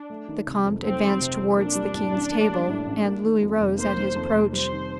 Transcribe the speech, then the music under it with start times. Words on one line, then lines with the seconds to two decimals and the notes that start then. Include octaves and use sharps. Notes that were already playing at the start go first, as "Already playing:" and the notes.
The comte advanced towards the king's table, and Louis rose at his approach.
Already playing: D4
0.10 A3
0.28 D#3
0.47 C3
0.65 F2
0.84 A3 C4
1.02 D#3
1.20 C3
1.38 F2
1.57 A#3 D4
1.75 G3
1.94 A2
2.12 A1
2.32 A#3
2.50 G3
2.69 A2
2.87 A1
3.04 A#3
3.23 D#3
3.42 F2
3.60 F1
3.79 A#3 C5
3.97 D#3
4.16 F2
4.34 F1
4.52 G3 C5
4.71 D#3